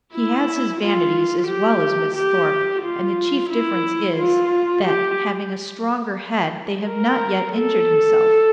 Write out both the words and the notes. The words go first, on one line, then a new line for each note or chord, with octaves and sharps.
He has his vanities as well as Miss Thorpe, and the chief difference is, that, having a stronger head, they have not yet injured himself.
E4
F4
G4
G4
F4
E4
F4
G4
A#4
A4